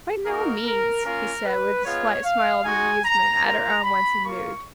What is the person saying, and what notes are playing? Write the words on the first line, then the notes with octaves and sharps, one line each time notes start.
"By no means," he said, with a slight smile of amusement at her unwonted mood.
A#3 D#4 F#4 A#4
A#4
A#3 C#4 F4 A#4
B4
G#3 B3 F4 C#5
F5
G#3 D#4 F#4 G#5
A#5
A#3 F4 A#5
B5
A#3 F4 C#6